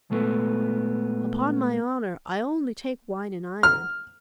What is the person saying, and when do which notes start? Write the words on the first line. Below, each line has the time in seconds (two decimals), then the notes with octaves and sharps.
'Upon my honour, I only take wine and iron.
0.10 A#2 G#3 A3 B3
3.63 F6